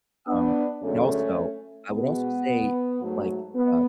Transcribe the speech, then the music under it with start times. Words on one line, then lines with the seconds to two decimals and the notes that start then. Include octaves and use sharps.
Um, but also I would also say, like, uh,
0.27 B3 D4
0.82 F#2 D3 G#3 A3 C#4
1.90 B2 G#3 B3
3.00 G#2 F#3 A3
3.55 B3